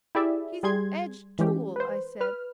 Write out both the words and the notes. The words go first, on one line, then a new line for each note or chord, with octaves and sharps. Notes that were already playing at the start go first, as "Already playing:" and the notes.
'He's an edged tool,' I said.
E4 G4 G#4 D5 E5
G3 G#4 C6 G#6
E3 G#3 C#4 G4
B4 C5
B4 F6